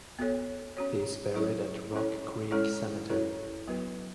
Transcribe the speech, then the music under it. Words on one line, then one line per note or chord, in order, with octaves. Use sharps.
He is buried at Rock Creek Cemetery.
B3 F#4 A4 C#5
C#4 F#4 C#5
F#3 C#4 E4 A4 C#5
C#4 E4 A4 C#5
G#3 C#4 E4 A4 C#5
C#4 E4 A4 C#5
F#3 B3 F#4 B4